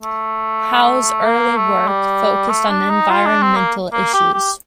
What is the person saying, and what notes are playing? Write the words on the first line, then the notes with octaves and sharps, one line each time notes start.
Howe's early work focused on environmental issues.
A3
A#3
A3
G3
A3
D4
D#4
F4
D4
C4
A#3
A#3
G4
G4